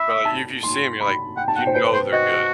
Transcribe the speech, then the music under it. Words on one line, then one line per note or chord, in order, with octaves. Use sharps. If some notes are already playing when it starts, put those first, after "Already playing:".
but like if you see him, you're like, you know, they're good.
Already playing: E5 B5
A5
C6
B5
F#5 G5
A5
F#5
G5
C5
B4 G5
C5
F#4 D#5